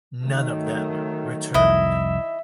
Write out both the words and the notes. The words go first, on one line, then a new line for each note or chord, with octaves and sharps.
None of them returned.
D#3 F#3 A3
C2 F2 E4 D#5 E5